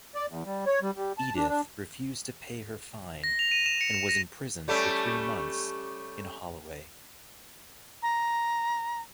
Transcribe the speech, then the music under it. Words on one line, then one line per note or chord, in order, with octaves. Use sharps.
Edith refused to pay her fine and was imprisoned for three months in Holloway.
D5
E2
G3
C#5
G3
G3
A5
D4
D4
A#6
F7
D#7
E7
C#7
E7
A#6
G3 A3 C#4
A#5